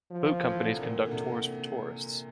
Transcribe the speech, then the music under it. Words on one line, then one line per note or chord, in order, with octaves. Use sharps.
Boat companies conduct tours for tourists.
F3
E3
D3
C3
A#2
D3
C3